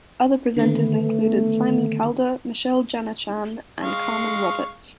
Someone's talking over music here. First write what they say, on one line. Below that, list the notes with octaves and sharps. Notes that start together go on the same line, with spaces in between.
Other presenters included: Simon Calder, Michelle Jana-Chan and Carmen Roberts.
D3 D#3 A3 B3
G#3 F5 C#6